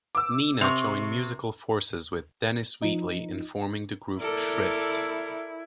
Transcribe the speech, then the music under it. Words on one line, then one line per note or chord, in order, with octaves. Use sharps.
Nina joined musical forces with Dennis Wheatley in forming the group Shrift.
D6 E6
C3 C#6 F7
F3 D#4
E4 A4 A#4 D5